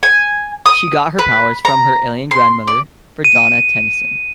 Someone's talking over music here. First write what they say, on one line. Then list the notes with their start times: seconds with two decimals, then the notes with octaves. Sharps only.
She got her powers from her alien grandmother, Verdona Tennyson.
0.03 G#5
0.66 D#6
1.19 B4
1.65 A#5
2.31 C6
2.68 D5
3.24 D#7